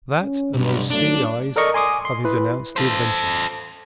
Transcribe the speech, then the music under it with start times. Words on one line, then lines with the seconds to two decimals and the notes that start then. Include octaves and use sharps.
That and those steely eyes of his announced the adventurer.
0.21 C#4
0.54 B1 G2
0.90 F#3 A3 D4
1.56 A4 A#4 D5 D#5 C#6
1.74 G#5 C6 D6 D#6
2.05 C6
2.25 E4 B4
2.76 A4 C5